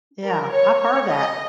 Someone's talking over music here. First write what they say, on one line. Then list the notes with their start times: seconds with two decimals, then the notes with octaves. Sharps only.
Yeah, I've heard that,
0.23 A#4
0.51 C#5
0.79 C#5
1.09 D#5